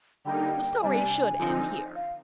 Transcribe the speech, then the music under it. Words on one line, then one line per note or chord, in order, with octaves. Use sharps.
The story should end here.
D3 G3 A#3 D#4 G5
C3 G3 D4 G#5
D3 F3 C4 D#4
F5